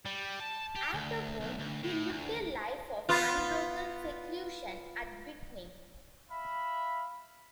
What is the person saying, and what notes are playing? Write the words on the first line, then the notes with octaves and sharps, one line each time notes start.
Afterward, he lived a life of unbroken seclusion at Vignay.
G3
A5
G4
D2
B1
D2
A2
D2
B3 F4
E5 F5 B5